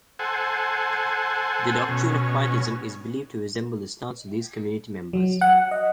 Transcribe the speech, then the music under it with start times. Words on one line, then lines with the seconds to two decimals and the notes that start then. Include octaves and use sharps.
The doctrine of Quietism is believed to resemble the stance of these community members.
0.19 A4 C5 F#5 G#5
1.89 B2 C#4
5.13 F#3
5.41 F#5
5.71 D#5